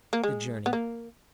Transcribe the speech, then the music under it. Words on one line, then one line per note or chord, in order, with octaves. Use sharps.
The Journey.
A#3
G#3
B3
A#3